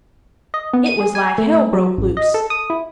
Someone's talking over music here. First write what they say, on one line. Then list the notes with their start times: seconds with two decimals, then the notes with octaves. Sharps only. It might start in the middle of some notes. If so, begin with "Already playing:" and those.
It was like hell broke loose.
0.54 D#5
0.73 B3
0.86 D#7
1.00 G#4
1.15 G#5
1.38 A3
1.73 F#3
1.98 A1
2.17 D#5
2.34 A4
2.50 D#6
2.70 E4